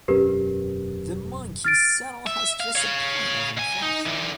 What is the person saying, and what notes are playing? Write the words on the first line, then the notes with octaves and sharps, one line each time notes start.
The monkey saddle has just a point of inflection.
E1 F#2 C#4 G4 A#4 B4
F6 A6 D7
E5
F5
C#5 F5
C#2 G#5
D#4
D3 E3